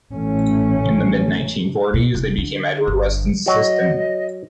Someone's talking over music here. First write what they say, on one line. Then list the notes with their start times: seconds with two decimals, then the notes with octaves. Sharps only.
In the mid-nineteen forties, they became Edward Weston’s assistant.
0.13 A1 E3 A3 C#4
1.94 B2
2.14 F1
2.38 D3
2.88 G1
3.46 F#3 F#4 D#5